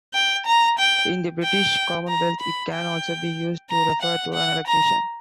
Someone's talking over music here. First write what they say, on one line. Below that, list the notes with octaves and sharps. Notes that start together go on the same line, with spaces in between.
In the British Commonwealth, it can also be used to refer to an electrician.
G5
A#5
G5
G5
A#5
B5
G5
A#5
F#5
F#5
A#5